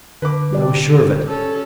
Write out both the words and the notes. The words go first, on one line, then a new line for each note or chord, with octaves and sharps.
I was sure of it.
D3 B4 D6
G3 G4 D5
C#4 A4